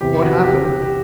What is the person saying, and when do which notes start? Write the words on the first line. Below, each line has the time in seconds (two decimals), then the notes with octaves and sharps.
"What happened?"
0.01 E2 C3 E3 G4
0.22 F#4
0.43 G4
0.65 G4
0.82 G4